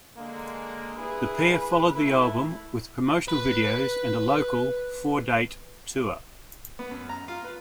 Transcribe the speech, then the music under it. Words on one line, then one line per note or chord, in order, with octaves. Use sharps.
The pair followed the album with promotional videos and a local four-date tour.
D3 G#3 A#3
G2 E4 G#4 B4
A3 E4
B4 B5
B3
F#2
A#5
F4
B4